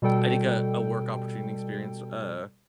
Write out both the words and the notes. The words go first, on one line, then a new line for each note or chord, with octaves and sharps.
I think a a work opportunity experience w uh,
B2 G3 A4 G5